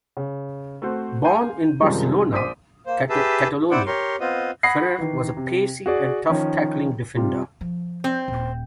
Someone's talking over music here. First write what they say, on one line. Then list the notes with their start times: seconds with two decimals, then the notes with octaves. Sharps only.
Born in Barcelona, Catalonia, Ferrer was a pacy and tough-tackling defender.
0.17 C#3
0.82 A3 C4 F#4 C5
1.24 F5 G#5 C6 G6 D#7
1.81 F#2 C3 D#3 F3 G3 G#3
2.32 A#1 C5 D6 D#6 B6 D#7
2.86 A#3 C5
3.10 G4 G#4 B4 E5 A5
3.71 C4 E4 C5 D5 F#5
3.86 G4 A#4 C#5 C6
4.20 B3 C4 F4 D#5
4.63 F#5 B5 D#6 G#6 A#6 C7
4.98 D#3 E3
5.37 C3
5.86 F#4 G#4 D5
6.29 D#3 F3 C#4
7.17 C3 G3 F4
7.61 F3
8.04 C4
8.28 D#1